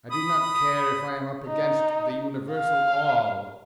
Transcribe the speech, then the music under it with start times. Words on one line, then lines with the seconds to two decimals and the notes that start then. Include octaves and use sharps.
I do not care if I am up against the universal All.
0.10 B5 D#6
1.47 D#4
2.52 F5